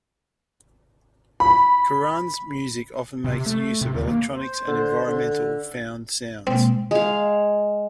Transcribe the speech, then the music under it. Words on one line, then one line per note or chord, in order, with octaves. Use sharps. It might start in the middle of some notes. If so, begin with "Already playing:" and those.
Curran's music often makes use of electronics and environmental found sounds.
B5
C3
A3
C3
D#2
A#3
C5
D3
D3
B2 G#3 A#3 C4
G#3 F5